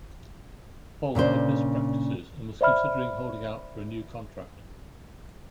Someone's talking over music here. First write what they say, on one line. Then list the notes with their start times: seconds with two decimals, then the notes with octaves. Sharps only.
Faulk had missed practices and was considering holding out for a new contract.
1.15 A#2 C#3 D4 C5
2.61 C5 D5 E5 B5 F6